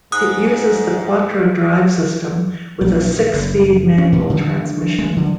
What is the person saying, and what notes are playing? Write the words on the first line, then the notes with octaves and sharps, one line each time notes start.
It uses the quattro drive system with a six-speed manual transmission.
G#2 D#6 F#6
A#1
D#3
F#1
C#4
A2
D3
G#3
D3